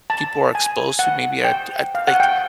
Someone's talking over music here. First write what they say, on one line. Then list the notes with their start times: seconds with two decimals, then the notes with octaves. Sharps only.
people are exposed to maybe at at, like
0.10 A5
0.55 G#5
0.99 F#5
1.44 G5
1.95 F5
2.08 F#5
2.20 G5